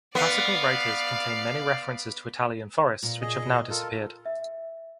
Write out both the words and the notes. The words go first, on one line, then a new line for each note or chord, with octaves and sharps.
Classical writers contain many references to Italian forests which have now disappeared.
B3 D5 F5
A#2
G#4 D#5
F4 A4 A#4
E5